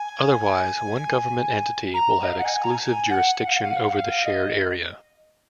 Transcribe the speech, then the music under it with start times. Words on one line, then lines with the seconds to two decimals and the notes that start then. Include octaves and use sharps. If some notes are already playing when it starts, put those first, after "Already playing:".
Otherwise, one government entity will have exclusive jurisdiction over the shared area.
Already playing: G#5
1.94 A#5
2.23 D#5
2.30 F5
2.38 F#5
2.45 G#5
2.63 A#5
2.71 G#5
3.09 F#5
3.47 F5
3.55 F#5
3.62 F5
3.70 F#5
3.77 F5
3.84 F#5
3.92 F5
4.25 D#5